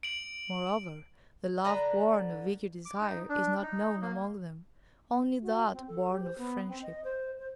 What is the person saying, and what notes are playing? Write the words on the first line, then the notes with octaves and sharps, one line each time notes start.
Moreover, the love born of eager desire is not known among them; only that born of friendship.
D7 F#7
D3 B4 A#5
D6
D#4
D4
D#4
A#3
F#4
C4
A4
G4
C5
B3
C4
D#5
C5
C5